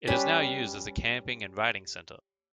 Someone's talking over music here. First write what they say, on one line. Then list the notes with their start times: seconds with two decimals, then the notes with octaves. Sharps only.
It is now used as a camping and riding centre.
0.07 G3 C#4 B4 B5